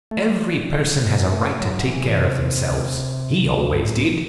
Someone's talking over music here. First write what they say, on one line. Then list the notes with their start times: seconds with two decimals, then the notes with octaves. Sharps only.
"Every person has a right to take care of themselves. He always did."
0.11 A3
0.20 G3
1.32 A3
1.59 F#3
1.87 E3
2.15 C3
3.72 G2
3.82 A2